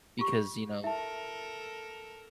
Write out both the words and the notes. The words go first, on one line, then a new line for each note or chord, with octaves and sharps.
Because, you know,
F4 G4 C#6
E4 A4 A#4 E5 A5